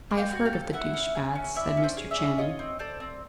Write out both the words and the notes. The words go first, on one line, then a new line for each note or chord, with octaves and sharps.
"I have heard of the douche baths," said Mr. Channing.
A#3
F5 G5
F#4
F5 G5
A4
E4 E5 F#5
C#4
G#4
C#4
E4 D5 E5
C#4
C5 D5
G#4
D5 E5
C#4
F4 C#5 D#5
C4
A4 C5 D5
C4